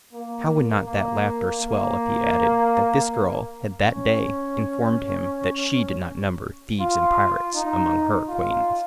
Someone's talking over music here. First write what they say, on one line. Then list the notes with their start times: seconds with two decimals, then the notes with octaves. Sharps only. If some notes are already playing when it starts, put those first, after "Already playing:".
How would not that laughter swell if he added that this girl had that day informed him that she did not number thieves and pirates among her acquaintance.
0.13 A#3
0.87 A#3
1.61 A#3
3.84 C#4
6.80 F4
7.54 D#4
8.28 F4